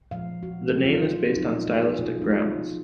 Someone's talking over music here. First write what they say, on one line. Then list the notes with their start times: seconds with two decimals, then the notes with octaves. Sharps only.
The name is based on stylistic grounds.
0.11 A#2 F3 G#3 F5
0.43 F#4
0.74 D#3 F#3 C#4
0.85 F4
0.95 D#4
1.05 F4
1.36 A#2 F3 A#3 D#4
1.67 F#4
1.83 G#4
1.99 B2 G#3 B3 F4
2.22 D#4
2.30 F4
2.61 F3 B3